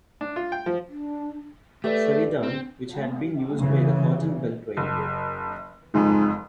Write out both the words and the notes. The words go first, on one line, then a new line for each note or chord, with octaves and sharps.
Sheridan, which had been used by the Cotton Belt Railroad.
D4
F4
G5
F3
D4
A3 G4 B4 D5
C4
C#3 E3
F#1
F#1 F2 G#2